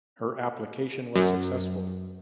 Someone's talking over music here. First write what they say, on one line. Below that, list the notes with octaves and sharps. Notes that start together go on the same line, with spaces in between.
Her application was successful.
F#2